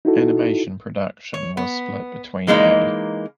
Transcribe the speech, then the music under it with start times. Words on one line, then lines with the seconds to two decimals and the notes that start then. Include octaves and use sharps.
Animation production was split between A.
0.05 D#4 E4 F#4 A4
1.34 C#5
1.57 B3
2.47 E3 G#3 A#3 D#4